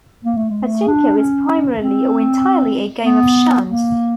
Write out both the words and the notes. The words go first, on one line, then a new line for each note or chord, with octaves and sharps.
Pachinko is primarily or entirely a game of chance.
A#3
A3
G#3
A3
D4
C#4
C4
B3
A#3